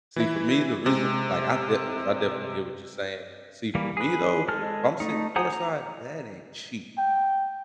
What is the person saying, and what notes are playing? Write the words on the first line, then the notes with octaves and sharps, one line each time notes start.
see, for me, the reason like I de 'cause I definitely get what you're saying. See, for me though, if I'm sitting courtside, that ain't cheap.
E3 E4
C3 G#3
E3 G3 A#3
G#4 B4
G#3 A4 F6
A3 D#4
G#4 C5 F#5 A#5 D#6
A#5
G5